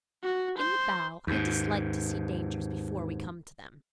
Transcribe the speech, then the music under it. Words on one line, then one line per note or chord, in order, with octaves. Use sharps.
"In the bow; I dislike to see dangers before we come to them."
F#4
C5
D#2 G#2